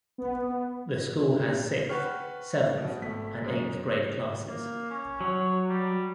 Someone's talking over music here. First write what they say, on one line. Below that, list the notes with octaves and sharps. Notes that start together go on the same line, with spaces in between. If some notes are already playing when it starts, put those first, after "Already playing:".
The school has sixth, seventh, and eighth grade classes.
B3
B4 F#5 G5 C#6 F6
B2
G#1 A3 B6
F#2 G#3
A#3
C#4
F#3 C#5
G3